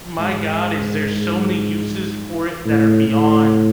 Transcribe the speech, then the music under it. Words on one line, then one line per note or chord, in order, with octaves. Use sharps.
my god, is there's so many uses for it that are beyond,
G#2
A2
A2